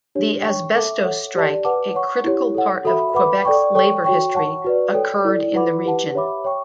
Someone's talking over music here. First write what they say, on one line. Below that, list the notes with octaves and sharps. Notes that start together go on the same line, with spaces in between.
The Asbestos Strike, a critical part of Quebec's labour history, occurred in the region.
D4 G4 C#5
C#5 G5 C#6
A4 E5 A5 D6
A4 C#5 F#5
G4 D5 A5
B4 F#5 A5 D6
C#5 F#5 C#6
E4 G4 C#5
A4 C#5 F#5
F#4 A4 E5 B5
B4 F#5 B5 D6
A4 D5 G5 C#6
A4 C#5 G5 C#6
F#4 C#5 G5 C#6
C#5 F#5 A5 C#6
F#4 B4 D5
A4 C#5 G5
E4 A4 D5
E4 B4 F#5 B5 D6
G4 B4 F#5 A5
G4 C#5 E5 B5 D6
C#5 G5 C#6